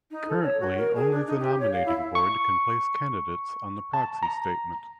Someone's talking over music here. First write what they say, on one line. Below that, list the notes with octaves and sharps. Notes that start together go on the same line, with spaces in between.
Currently, only the nominating board can place candidates on the proxy statement.
D#4
A4
C#5
F#4
A#4
G#4
D4
D#4
G4
C#5
F5
E4
C#6
A5
A#5